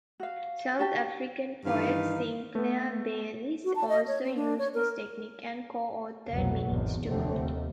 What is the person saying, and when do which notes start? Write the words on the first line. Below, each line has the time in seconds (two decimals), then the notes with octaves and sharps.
South African poet Sinclair Beiles also used this technique and co-authored "Minutes To Go".
0.20 F#4 F5
0.79 F#4 G4 A5
1.65 G2 D#3 E3 D#4 F5
2.55 A3 B3
3.64 F#4
3.76 A5
3.89 D#5
4.07 C#5
4.24 C4
4.36 D4
4.58 C#5
4.74 A#4
6.29 F1 C2 F2 B2 F#3
6.69 G#1 E2
7.08 F1 D#2 D3 A3 C4
7.40 D#2